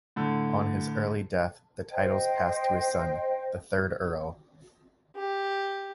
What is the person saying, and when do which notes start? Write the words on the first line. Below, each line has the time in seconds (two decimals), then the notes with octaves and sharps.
On his early death the titles passed to his son, the third Earl.
0.16 A2 D3
1.91 C5 D#5 G5
5.17 G4